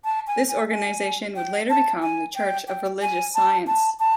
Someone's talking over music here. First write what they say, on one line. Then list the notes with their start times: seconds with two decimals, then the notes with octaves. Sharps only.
This organization would later become the Church of Religious Science.
0.04 A5
0.27 G#5
0.49 G#5
0.70 G#5
1.36 G5
1.70 A5
2.02 G#5
2.35 G5
2.68 G5
3.02 G#5
3.35 A5
3.67 A5
4.00 A5